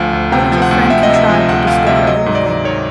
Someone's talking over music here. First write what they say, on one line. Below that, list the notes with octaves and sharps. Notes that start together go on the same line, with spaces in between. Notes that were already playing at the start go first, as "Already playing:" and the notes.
How did your friend contrive to discover everything?
Already playing: D2 F3 F5
D2
C3 G5
F3
F#5
D2
D2 E5
D#5
C3
E5
F3
D2 F#5
D2 F5
C3 E5
F#3 D#5
G#2
D5
G#2
D#3 C#5